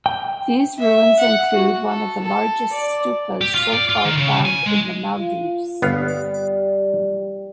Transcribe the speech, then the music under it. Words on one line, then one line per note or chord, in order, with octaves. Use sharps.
These ruins include one of the largest stupas so far found in the Maldives.
G5
E5
F#5
F#4
A4
A4
D5
G4
F4
D5
F4
D#3
C#3
G#5
G#3
F4
G1 G3 B3 F5